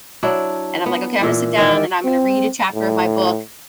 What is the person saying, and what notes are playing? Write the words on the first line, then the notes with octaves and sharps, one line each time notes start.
and I'm like, "Okay, I'm gonna sit down, and I'm gonna read a chapter of my book,
F#3 D4 E4
B3
A#2 E3
D#3 E3 D5
C4
A2